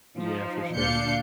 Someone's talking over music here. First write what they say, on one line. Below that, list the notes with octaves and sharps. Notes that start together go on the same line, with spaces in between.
Yeah, for sure.
F3 D#4
D2 A#2 D4 F5 G6 C#7